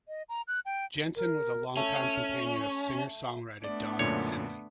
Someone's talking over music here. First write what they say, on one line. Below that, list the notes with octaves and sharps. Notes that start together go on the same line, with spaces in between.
Jensen was a longtime companion of singer-songwriter Don Henley.
D#5
A#5
F#6
G5
A#4
A3 C#4
A3 B3 D4 D5
F#2 A#2 D3 C#5